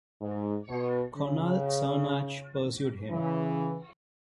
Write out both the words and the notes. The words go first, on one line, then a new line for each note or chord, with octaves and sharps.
Conall Cernach pursued him.
G#2
B2
C#3
C#3 E3